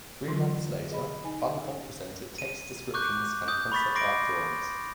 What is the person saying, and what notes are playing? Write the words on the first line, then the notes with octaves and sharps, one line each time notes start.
Three months later, Funcom presented text descriptions and concept art drawings.
D3 E3 F#3 F4 A#4 C6
G#4 D#5 B5
D#4 G#5
D#7
C#6 D6 F#6 G6
D#6 G6
B5 C#6 A6 B6
C6 D6 A#6 C7 D7